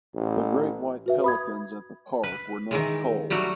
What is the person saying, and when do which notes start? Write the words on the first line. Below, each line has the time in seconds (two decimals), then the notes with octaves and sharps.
The great white pelicans at the park were not culled.
0.15 A1
1.06 F#4 B4 E5
1.24 B5 D#6 G#6
2.23 B4
2.71 D#3 E3 G#3
3.30 F#3 G3 A3 F#4